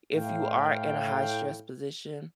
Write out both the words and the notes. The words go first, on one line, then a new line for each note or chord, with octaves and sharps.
if you are in a high stress position,
A2 F5 G5